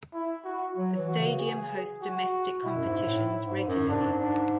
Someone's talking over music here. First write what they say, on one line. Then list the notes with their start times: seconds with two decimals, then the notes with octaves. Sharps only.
The stadium hosts domestic competitions regularly.
0.14 E4
0.45 F#4
0.77 F#3
0.97 E3
1.08 F#4
1.19 C#3
1.39 G#4
2.02 F#4
2.64 B2 E4
2.76 F#2
2.85 G#2
3.06 A2
3.46 G#2
3.67 F#2
3.88 G#2 D4
4.20 D4